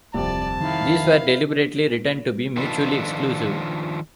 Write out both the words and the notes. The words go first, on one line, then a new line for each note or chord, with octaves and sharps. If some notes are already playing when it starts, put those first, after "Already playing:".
These were deliberately written to be mutually exclusive.
D1 C2 F2 D5 A5
D#3 E4 F5
D#3 F3 D4 F4 A4 B4